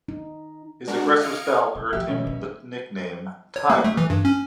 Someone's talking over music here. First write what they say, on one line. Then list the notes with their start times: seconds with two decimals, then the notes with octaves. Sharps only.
His aggressive style earned him the nickname Tiger.
0.08 D#4
0.87 G#3 D4 F#4 A#4
1.20 D#5 F5 F6 G#6 C#7 D7
1.75 C#3
1.93 D#3 F3 G4 E5
2.08 B2 C#4
2.27 A#3
3.56 C#5
3.70 A#3
3.84 A3
3.97 E3
4.10 G2
4.25 C#4